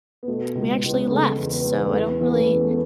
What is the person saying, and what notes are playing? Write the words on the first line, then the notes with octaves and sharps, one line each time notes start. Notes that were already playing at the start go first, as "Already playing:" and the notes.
we actually left, so I don't really
B3
B2 A3
C#2
B3
C#2
C#4
B3
C#3 A3
E2
B3
E2
A3
E3 B3
E3
B3
A3 C#4
E2
A3
B3